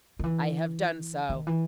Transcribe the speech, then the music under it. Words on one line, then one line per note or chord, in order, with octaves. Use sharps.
I have done so.
D#3
E3
D#3
E3